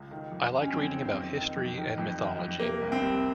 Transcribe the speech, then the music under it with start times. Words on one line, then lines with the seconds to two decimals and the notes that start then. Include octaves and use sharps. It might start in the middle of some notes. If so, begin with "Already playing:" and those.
I like reading about history and mythology.
Already playing: C#2
0.11 D#3
0.32 F2
0.53 D#3
0.61 C#4
0.74 F2 C4
0.94 D#3
1.05 C4
1.15 F2
1.36 D#3
1.56 F2
1.77 D#3
1.98 F2
2.19 D#3
2.39 F2
2.60 C3 A#3
2.81 C2
2.92 C4
3.02 C2